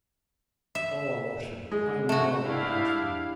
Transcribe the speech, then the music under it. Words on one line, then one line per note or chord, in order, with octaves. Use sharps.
Oh, Alyosha, I am not blaspheming!
E5
G#3
A3 F#4
D4 E4 G4 F5